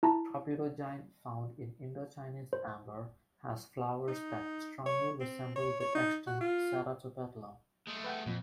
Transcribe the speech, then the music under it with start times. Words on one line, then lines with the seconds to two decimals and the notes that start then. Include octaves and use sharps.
"Tropidogyne", found in Indochinese amber, has flowers that strongly resemble the extant "Ceratopetalum".
0.03 E4 A5 A#5
2.53 C5
4.08 D#4
4.86 C#5
5.20 C4
5.56 C#5
5.80 C#5
5.95 D#4
6.27 F#4
6.41 F4
7.88 G#3 A3
8.04 B4 F#5 G5
8.26 F2 A#2 F3